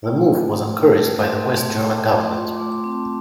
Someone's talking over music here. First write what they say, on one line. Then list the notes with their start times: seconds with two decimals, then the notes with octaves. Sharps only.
The move was encouraged by the West German government.
0.04 A3 G5
0.30 A3
0.55 A3
0.74 G5
0.80 A3 A5
1.06 A3
1.19 C6
1.32 A3
1.57 A3 A5
1.76 G5
1.82 A3
1.95 A5
2.08 A3
2.14 C6
2.33 F4 C6
2.53 D6
2.59 A3
2.72 C6
2.84 C4
2.91 A5